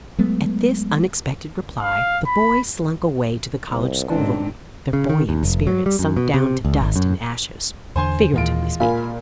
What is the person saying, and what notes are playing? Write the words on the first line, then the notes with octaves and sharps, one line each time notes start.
At this unexpected reply, the boys slunk away to the college schoolroom, their buoyant spirits sunk down to dust and ashes--figuratively speaking.
F#3 G#3 A3 B3
F5
B5
C2
C#2 G#2 D#3 C4 D4
C#3
D#3
D#2
F1
F#3
G3
F#2
B2
C3
C#2
G#1
F#2
E2 D3 C5 G#5 C6
D#2 A#2 E3 G#3 F4 D7
A#2 F5 G#5 B5